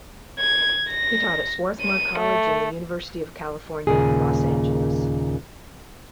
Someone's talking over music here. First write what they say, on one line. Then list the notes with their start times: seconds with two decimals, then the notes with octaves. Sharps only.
He taught at Swarthmore College and the University of California, Los Angeles.
0.39 G#6
0.89 A#6
1.81 D#7
2.19 A3
3.87 D#2 A#2 C#3 G#3 G#4